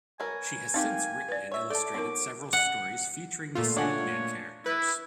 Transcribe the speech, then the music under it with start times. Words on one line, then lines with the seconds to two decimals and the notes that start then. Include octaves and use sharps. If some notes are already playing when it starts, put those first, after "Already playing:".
She has since written and illustrated several stories featuring the Sandman characters.
0.20 F#3 B3 A#4 G#5
0.74 A#3 C4 D#4 G4 F5
1.29 B4 D5
1.52 C#5 E5
1.70 A4 D5 A5 D6
1.94 F#3 B3 D#4 A#4
2.53 F#5
3.55 A#2 A3 F4
3.76 D4 C#5 F#5 G#5
4.66 E4 B4